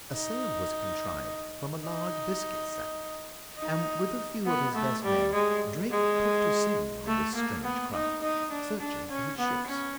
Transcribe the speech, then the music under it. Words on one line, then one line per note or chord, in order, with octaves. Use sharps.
A sail was contrived from a large biscuit sack, and with a few of his best men Drake put to sea on this strange craft, searching for his ships.
D#4
D#4
D#4
B3
A3
G3
G#3
G#3
A3
A#3
B3
D#4
D#4
D4
D4
C#4
B3
C#4